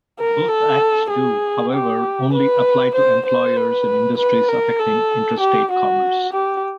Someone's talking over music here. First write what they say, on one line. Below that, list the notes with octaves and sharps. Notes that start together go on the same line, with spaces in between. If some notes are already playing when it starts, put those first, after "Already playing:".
Both acts do, however, only apply to employers in industries affecting interstate commerce.
A#4
A4
G#4
G4
B4
C5
C5
B4
B4
A#4
A4
G4
F#4
G4